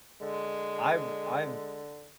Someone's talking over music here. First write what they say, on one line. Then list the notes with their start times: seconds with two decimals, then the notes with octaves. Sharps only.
I ru I've
0.21 D3 G#3